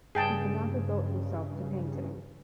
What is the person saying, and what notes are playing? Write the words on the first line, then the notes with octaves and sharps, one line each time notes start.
He can now devote himself to painting.
G2 C#3 G#4 G5 A5